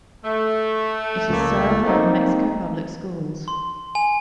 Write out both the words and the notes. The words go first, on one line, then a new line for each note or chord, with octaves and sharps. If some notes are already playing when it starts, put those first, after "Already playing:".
It is served by the Mexico Public Schools.
A3
C#2 A#3
A#3 C4 D#4
C6
G#5